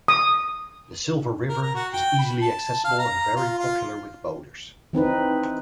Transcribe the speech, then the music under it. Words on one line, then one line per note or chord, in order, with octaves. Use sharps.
The Silver River is easily accessible and very popular with boaters.
D#6
A#4
A#5
F#4
G5
B5
A5
F5
A#5
F4
F4
E3 C4 D#4 B4